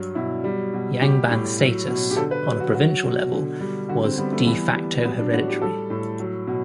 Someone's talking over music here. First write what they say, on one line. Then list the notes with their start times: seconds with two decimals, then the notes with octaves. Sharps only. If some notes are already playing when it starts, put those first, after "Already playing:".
Yangban status on a provincial level was "de facto" hereditary.
Already playing: G2 F#3
0.15 B2 E4
0.44 G3
0.74 B2
1.02 G3 G4
1.30 A2
1.59 F#3
1.88 B2
2.11 G4
2.16 D3 A4
2.31 B4
2.46 F#3
2.60 F#4
2.74 F#3 F#4
3.04 B2
3.32 D3
3.61 G3
3.89 D3 F#4
4.04 C4
4.18 G3 B3
4.32 A3
4.47 E3 B3
4.75 G3
5.04 F#3 B3
5.19 D4
5.33 A2 F#4
5.48 G4
5.62 G3 A4
5.90 A2
6.20 F#3
6.47 B2